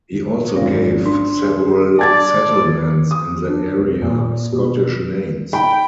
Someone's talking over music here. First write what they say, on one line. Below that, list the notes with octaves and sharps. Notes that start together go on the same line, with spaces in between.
He also gave several settlements in the area Scottish names.
G#1 C#4
D4 C6
G#4
D5 A5 G#6 A6
D#6
D4
C2
A#2
B2
G5 B5